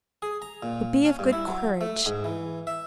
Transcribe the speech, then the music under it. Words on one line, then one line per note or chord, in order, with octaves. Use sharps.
But be of good courage.
G#4
A#5
A#2
C#4
G2
E4
F#3
A3
G#2
E3
E5